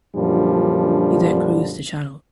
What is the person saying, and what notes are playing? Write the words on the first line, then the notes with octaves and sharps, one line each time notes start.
He then cruised the Channel.
F#2 A#2 D3 F3 G3 D4